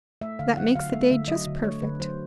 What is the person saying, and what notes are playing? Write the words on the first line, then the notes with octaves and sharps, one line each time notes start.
"That makes the day just perfect."
A3 E5
D3 F5
F#3 F#5
D3 F5
A3 E5
D3 E5
F#3 D#5
D3
A3 C#5
D3 B4
F#3 C5